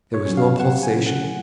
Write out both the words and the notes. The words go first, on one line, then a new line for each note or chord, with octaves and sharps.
There was no pulsation.
C#5
F#3 C#4
F5
C#3 F#5
G#5
F#3 C#4
F#5